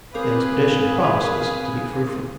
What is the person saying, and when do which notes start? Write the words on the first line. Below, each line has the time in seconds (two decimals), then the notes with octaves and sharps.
The expedition promises to be fruitful.
0.14 C4 G#4 A#4 B4 F5 D6